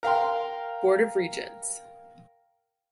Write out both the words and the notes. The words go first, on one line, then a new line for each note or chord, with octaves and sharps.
Board of Regents.
A#4 F5 G5 C6